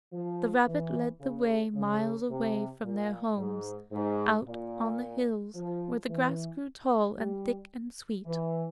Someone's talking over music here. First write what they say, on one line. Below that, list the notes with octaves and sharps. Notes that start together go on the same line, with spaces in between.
The rabbit led the way miles away from their homes, out on the hills where the grass grew tall and thick and sweet.
F3
E3
C#3
C#3
C3
A#2
G#2
G#2
A#2
F3
E3
G3
E3